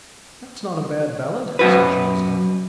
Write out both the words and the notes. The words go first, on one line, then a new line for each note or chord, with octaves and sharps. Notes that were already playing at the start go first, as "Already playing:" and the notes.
"That's not a bad ballad," said James Duff.
F#2 F#4 B4